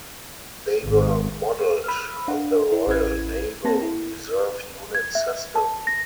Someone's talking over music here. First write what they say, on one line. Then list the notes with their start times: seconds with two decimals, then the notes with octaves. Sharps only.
They were modelled on the Royal Naval Reserve unit system.
0.85 G#1
1.84 B5 E6 F6
2.28 D4 F5 F#5
2.72 E4
2.87 A1 C#4 E4 B4 G#6
3.64 A#3 C4 A5 A#6
3.82 E4
4.95 G#6
5.15 E5
5.55 A5
5.87 A#6